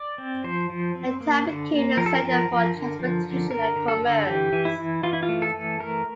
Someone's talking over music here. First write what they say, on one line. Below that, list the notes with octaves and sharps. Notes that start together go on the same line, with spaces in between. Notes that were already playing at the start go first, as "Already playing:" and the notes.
The town became a centre for transportation and commerce.
Already playing: D5
C4
F3 C5
F3
C4
A#3
D3
A#3
F3 A#4
A4
A#4
F3
F3
D3
F3
D3
D3 A#4
D3
A4
D3
E3 G4
E3
E4
E3
E3 F4
E4
F4
A3
A4
E3
A3 A#4